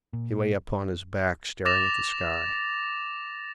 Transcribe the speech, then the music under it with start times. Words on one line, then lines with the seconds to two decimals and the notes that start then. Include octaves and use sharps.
He lay upon his back staring at the sky.
0.13 A#2
1.65 D6 A6 A#6 E7 F7